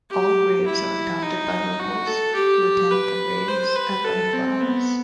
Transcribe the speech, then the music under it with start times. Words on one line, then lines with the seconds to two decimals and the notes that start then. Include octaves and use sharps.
All graves are adopted by locals, who attend the graves and lay flowers.
0.10 G4
0.66 E4
1.23 D#4
1.79 F#4
2.07 A4
2.35 G4
2.91 B4
3.48 C5
3.76 B4
4.04 A4
4.33 C4
4.60 B3